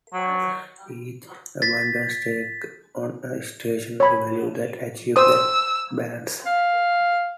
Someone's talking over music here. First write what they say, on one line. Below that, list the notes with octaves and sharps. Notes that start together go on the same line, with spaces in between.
Each abundance takes on a stationary value that achieves that balance.
F#3
A6 B6
C#5 B5
C5 D#6 E6
F5